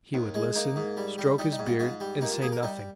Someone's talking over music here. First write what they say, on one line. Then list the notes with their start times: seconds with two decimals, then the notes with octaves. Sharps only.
He would listen, stroke his beard, and say nothing.
0.14 D#2
0.35 G#3
0.55 A#3 D#4
0.76 G#2
0.97 G3
1.18 G3
1.38 G3 D#4
1.52 D#4
1.59 G#2
1.66 F4
1.79 G#2 F4
2.00 G3
2.21 A#3 D#4
2.32 F4
2.42 A#3 G#4
2.52 A#4
2.63 G3 D#4